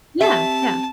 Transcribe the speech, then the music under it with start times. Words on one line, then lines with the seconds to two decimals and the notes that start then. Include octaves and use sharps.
Yeah, yeah.
0.21 C4 G4 E5 A5